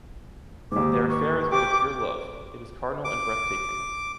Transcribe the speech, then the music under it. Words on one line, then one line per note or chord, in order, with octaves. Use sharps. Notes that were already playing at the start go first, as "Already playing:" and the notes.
Their affaire is made of pure love, it is carnal and breathtaking.
D#2 G#2 D6
C#6
G4 D6
D6